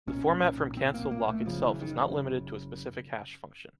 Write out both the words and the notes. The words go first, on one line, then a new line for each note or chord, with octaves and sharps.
The format from "Cancel-Lock" itself is not limited to a specific hash function.
B1 A#2 C#4
C4
A#3
A#3
A3
F#1 F#2 C#3 F3
E3
D#3